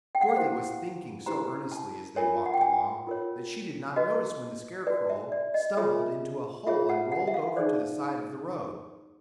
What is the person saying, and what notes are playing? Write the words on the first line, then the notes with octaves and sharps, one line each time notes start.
Dorothy was thinking so earnestly as they walked along that she did not notice when the Scarecrow stumbled into a hole and rolled over to the side of the road.
G5
F#5
F5
E4 G4 C5 F#5
E4 G4 C5 A#5
A5
F4 A#4 C#5 G#5
F#5
G5
G#5
F4 A#4 C#5
F#4 B4 D#5
F#4 B4 D5
E5
D5
D#5
F4 G#4 C#5 E5
F4 G#4 C#5 E5
F#5
F#5
E5
F5
D#4 G#4 C5 D5